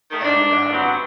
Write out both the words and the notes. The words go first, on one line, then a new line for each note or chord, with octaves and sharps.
and, um
D#3 A3
D4
G2 F#3 B3 C4